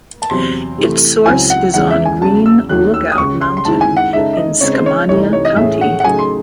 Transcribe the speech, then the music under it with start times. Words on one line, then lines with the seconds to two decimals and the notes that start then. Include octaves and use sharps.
Its source is on Green Lookout Mountain in Skamania County.
0.22 A5
0.30 E2 C3 F#3 C4 C6
0.78 C3 E3 A3
1.25 C#2 C#3 F#3 C4 E4 G#5
1.50 F#5
1.74 E2 C#3 E3 G#3 F#5
1.90 E5
2.06 G#5
2.22 E2 C#3 F#3 A5
2.46 E6
2.69 D#2 D#3 A3 C#4 F#4 F#6
2.94 E6
3.12 D#6
3.18 C#2 C#3 G#3 C#4 C#6
3.41 C6
3.57 C6
3.65 F#2 D#3 G#3 C4 E4 A5
3.81 G#5
3.97 F#5
4.13 C#3 G#3 D#4 A4 E5
4.33 E5
4.37 D#5
4.61 C#3 G#3 C4 D#4 C#5
4.74 C5
4.86 C#5
5.09 C2 C3 E3 A3 D#4 C#5
5.33 C#5
5.45 D#5
5.56 A2 E3 A3 C#4 G#4 E5
5.81 F#5
6.00 F#5
6.04 C#3 F#3 A3 D#4 G#4 G#5
6.19 C6